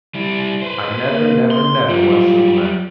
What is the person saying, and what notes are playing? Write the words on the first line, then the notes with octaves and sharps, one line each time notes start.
'I never, never, never was so glad!
G3 E4
B4 C5
A#3
C6
F#3 G3 F4